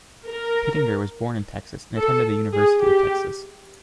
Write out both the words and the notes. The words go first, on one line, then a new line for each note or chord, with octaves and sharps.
Pittenger was born in Texas and attended the University of Texas.
A#4
A4
G#4
G4